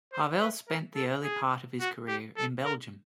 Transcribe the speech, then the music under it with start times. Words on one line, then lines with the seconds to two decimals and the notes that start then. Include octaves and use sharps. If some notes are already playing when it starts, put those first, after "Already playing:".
Hervelle spent the early part of his career in Belgium.
0.13 C5
0.40 B4
0.69 A#4
0.95 A4
1.24 G#4
1.81 F#4
2.08 G4
2.37 A4
2.64 A#4